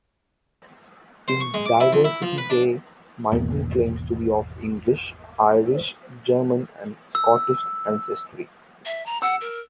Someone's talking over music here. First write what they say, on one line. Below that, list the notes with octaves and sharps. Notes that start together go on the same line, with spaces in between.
In "Diversity Day", Michael claims to be of English, Irish, German and Scottish ancestry.
C5
C#6
G#3
D6
E4
F2
E4
F3
B4
D4
G#1 E2 B2 A#3
E6
E5
A#5
F#5 E6
A#4